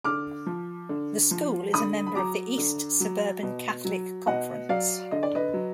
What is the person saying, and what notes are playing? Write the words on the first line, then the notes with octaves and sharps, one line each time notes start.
The school is a member of the East Suburban Catholic Conference.
D3 D6 F6
F3
D3
F3
D3 B5 D#6
B5
F#3 A#5 D6
D3
F#3
B2
F#3
B2 D#5 F#5
F#3 D5 F5
D3 D#5
D5
B4 D#5
F#3